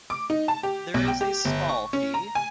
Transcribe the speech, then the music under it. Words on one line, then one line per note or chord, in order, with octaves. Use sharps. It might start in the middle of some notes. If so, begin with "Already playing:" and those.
There is a small fee.
D6
D#4
A5
G4
B1
G5
G4
G1
C#6
C#4
A#5
G#5